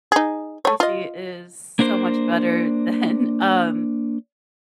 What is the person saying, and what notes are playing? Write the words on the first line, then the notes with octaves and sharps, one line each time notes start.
PC is so much better than um,
D#4 G#4
A3 C#5
F4 D#5
A#3 D4 A#4 C5